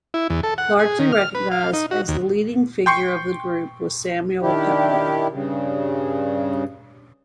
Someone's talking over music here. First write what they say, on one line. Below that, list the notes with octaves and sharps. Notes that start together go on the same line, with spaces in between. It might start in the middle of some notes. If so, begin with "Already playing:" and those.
Largely recognised as the leading figure of the group was Samuel Peploe.
E4
E2
A4
F#5
G#4
D#3
F6
B4
F5
D#4
F#4
D#2
G5 C6 C#6
D#3 D4 E4 G4
G2 C#3